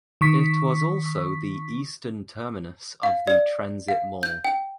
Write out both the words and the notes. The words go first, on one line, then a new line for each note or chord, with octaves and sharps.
It was also the eastern terminus of the transit mall.
D#3 C#6 B6
F5
D5
F5
G6
G5